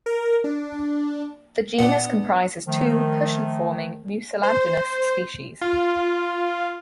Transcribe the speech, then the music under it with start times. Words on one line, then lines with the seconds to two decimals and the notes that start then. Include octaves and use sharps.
The genus comprises two cushion-forming, mucilaginous species.
0.06 A#4
0.44 D4
1.78 A#2 B3 D4 F#5
2.66 D#3 F3 A3
4.43 C5
5.61 F4